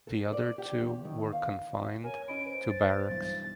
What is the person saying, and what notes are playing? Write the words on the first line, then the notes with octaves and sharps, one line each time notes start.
The other two were confined to barracks.
A4
D5
G4
E2
D#3
F5
A#4 C#5 G#5
C#4 D#5 B5 D7
B4 C5
A6
B1 G2 E3 A6